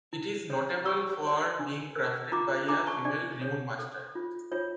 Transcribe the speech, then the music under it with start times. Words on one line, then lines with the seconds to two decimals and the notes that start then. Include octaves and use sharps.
It is notable for being crafted by a female runemaster.
0.13 E4
0.50 C#5
0.85 G4 C#6 E6
1.22 C#5
1.59 D4
1.96 A#4
2.32 F4 A#5 D6
2.68 D4 A#5 D6
2.87 A5 C#6
3.05 D4 D5
3.41 C#5
3.79 A4
4.15 F4
4.52 F4 C#5